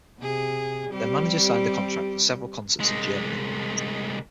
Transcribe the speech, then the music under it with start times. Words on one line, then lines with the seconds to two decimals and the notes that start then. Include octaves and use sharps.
Their manager signed a contract for several concerts in Germany.
0.20 C3 G#4
0.90 G3 C4 G4
2.80 C2 G#3